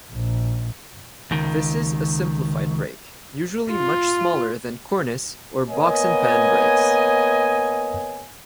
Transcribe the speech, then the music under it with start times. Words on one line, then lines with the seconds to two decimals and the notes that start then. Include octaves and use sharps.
This is a simplified brake, usually much smaller than cornice or box-and-pan brakes.
0.13 A#1
1.31 C#2 D#3
3.71 F4
5.69 A#3 B3 C#5 D#5 G#5